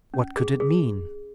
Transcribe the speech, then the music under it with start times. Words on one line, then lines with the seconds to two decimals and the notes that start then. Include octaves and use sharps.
What could it mean?
0.14 C#4
0.37 G#4
0.60 G#4